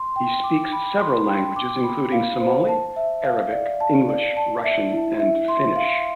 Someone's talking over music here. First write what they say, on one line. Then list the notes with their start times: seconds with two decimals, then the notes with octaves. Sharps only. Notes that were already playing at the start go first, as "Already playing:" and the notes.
He speaks several languages, including Somali, Arabic, English, Russian and Finnish.
Already playing: C6
0.16 G5
0.44 D6
0.72 B5
1.00 C6
1.28 G5
1.56 D6
1.84 B5
2.12 F5
2.40 C5
2.68 A5
2.96 E5
3.25 F5
3.52 D5
3.80 A5
4.09 D5
4.37 A5
4.64 E5
4.92 E4
5.20 E5
5.48 C6
5.76 F5